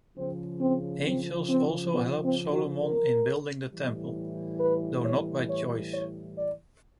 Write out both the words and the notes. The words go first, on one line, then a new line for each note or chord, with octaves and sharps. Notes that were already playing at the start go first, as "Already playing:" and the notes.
Angels also helped Solomon in building the Temple; though not by choice.
C#3 F3 C4
C4
C4
C4
B3
C4
F#4
A#4
A2 E3 G3
B4
C#5
C#5
C#5
D5